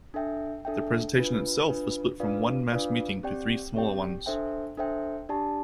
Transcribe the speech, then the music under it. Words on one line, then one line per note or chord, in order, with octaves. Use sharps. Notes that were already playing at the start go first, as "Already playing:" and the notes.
The presentation itself was split from one mass meeting to three smaller ones.
D4 A4 E5 G5
D4 A4 E5 G5
D4 F4 B4
D4 F4 B4
D4 F4 B4 D5 F5
D4 F4 B4 D5 F5
C4 G4 D5 G5
C4 G4 D5 G5
D4 A4 C5 E5 G5
D4 A4 C5 E5 G5
D4 G4 D5 A5